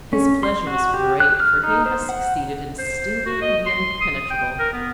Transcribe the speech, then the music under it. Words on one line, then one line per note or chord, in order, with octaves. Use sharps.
His pleasure was great, for he had succeeded in stinging the impenetrable.
C#4
C6
F#4
G4
F#6
F6
D#4
C5
F#5
C5
F#4
D#5
C6
D#6
G5
A#4
B3